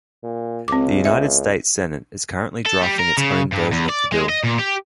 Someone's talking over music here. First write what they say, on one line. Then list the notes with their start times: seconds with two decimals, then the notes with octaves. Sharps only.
The United States Senate is currently drafting its own version of the bill.
0.24 A#2
0.68 C#2 C4 D6
1.05 E5
2.66 A4
2.82 G3
3.00 A#4
3.18 C#3
3.52 G2
3.72 E2
3.89 D5
4.12 G#3
4.29 D#5
4.44 A#2
4.59 G4